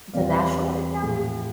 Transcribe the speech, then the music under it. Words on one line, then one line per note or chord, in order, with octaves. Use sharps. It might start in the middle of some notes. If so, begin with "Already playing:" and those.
the National Art Gallery?
E2 C3 E3 G3 D5 F5
A2 F3